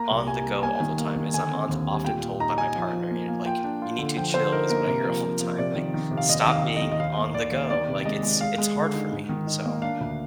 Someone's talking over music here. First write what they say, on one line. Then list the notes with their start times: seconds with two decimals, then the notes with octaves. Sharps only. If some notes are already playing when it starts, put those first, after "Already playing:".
on the go all the time. As I'm on often told by my partner, you n like, "you need to chill," is what I hear all the time, like, "stop being on the go," like, it's it's hard for me. So,
Already playing: A#3 A#5
0.11 C2
0.27 G3 G#5
0.46 G3
0.63 A#3 G#5
0.80 D#3
0.98 A#3
1.16 D#3
1.33 D3 G#5
1.51 C4
1.69 D#2
1.87 G3
2.04 A#2 G5
2.22 A#2
2.40 D#4 A#5
2.58 D#4 G#5
2.76 F3
2.93 F3
3.11 A#3
3.28 A#3
3.46 F4 G5
3.64 D4
3.82 F4
3.98 D3
4.17 F3 G5
4.34 D3 C5
4.52 D#4 A#4
4.70 A#3 A#4
4.87 C3 A#4
5.05 F3
5.23 F3
5.40 F3
5.58 C3 D5
5.75 D#3
5.94 D#3
6.11 C3
6.17 F5
6.29 D#2 D#5
6.41 D#5
6.47 D#3
6.52 F5
6.64 D#2
6.76 D#5
6.82 D#3
6.92 D#5
7.00 D#2 F5
7.17 A#3
7.34 D#2 D5
7.52 D#2
7.70 D#3 D5
7.88 C3
8.05 G#3 D#5
8.23 G#3
8.41 G#3 F5
8.58 G#3
8.76 D3
8.95 D#4
9.12 G#2
9.29 D#3
9.47 D#4
9.65 A#3
9.82 D4 F5
10.01 D2